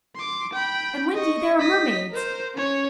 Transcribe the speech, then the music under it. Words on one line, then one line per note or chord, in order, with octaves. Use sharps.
"And, Wendy, there are mermaids."
C6 D6
G5 B5
D#5 C#6
D#5 B6
A#4 C5
C#4 C#5